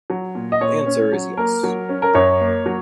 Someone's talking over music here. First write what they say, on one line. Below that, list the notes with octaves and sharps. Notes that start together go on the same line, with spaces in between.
The answer is yes.
F#3
A#2
D#5
A#2 C#5
C#4
F#3
A#3 A#4
F#3
C#4
A#4
F#2 C#5
A#3
F#3